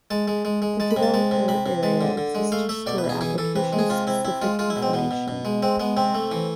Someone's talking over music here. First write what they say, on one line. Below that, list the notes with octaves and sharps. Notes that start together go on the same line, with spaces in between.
The developer area exists to store application-specific information.
G#3 A5
G#3
G#3
G#3
G#3 A5
B5
C3
A5
G#3 A5
C3
C3 B5
C3
G#3 A5
D3
D3
G#3
A3 F5
A3 E5
B2 D5
B4
B2
G#4
E3 G#4
E3 A4
C3 B4
G#3
G#4
C3 F4
C3 E4
C3 E4
G#3 F4
G#3 F4
E4
B2
C4
B2 B3
B2
B2
G#3
G#3 C4
G#3 B3
C3 C4
A3
E3